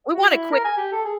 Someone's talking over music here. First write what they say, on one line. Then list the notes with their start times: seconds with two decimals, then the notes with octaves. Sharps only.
We want it quick
0.13 F#4
0.32 E4
0.52 A#4
0.65 G#5
0.77 G4
0.92 A4
1.05 G#4